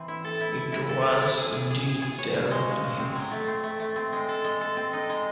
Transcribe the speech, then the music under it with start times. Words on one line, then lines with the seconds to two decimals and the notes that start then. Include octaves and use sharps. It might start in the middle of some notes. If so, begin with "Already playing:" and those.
It was, indeed, their opinion.
Already playing: E3 C4
0.08 E4
0.25 A4
0.41 E4
0.57 E4
0.72 E4
0.89 A4
1.05 A4
1.21 E4
1.38 G#4
1.53 G#4
1.70 G#4
1.86 G#4
2.02 G#4
2.18 C#5
2.34 C#5
2.51 G#3
2.67 C#3
2.83 C#3
2.99 C4
3.15 F#3
3.32 A3
3.48 C4
3.63 A3
3.80 A3
3.96 C4
4.13 G#3
4.29 A4
4.44 G#3
4.61 A4
4.77 C4
4.93 D#4
5.09 G#3